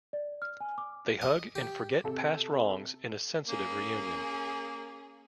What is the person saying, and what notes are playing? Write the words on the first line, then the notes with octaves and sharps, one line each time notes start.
They hug and forget past wrongs in a sensitive reunion.
D5
F6
G#5
D6
D#5
G4
C3 A4
A#3 C#4 G#4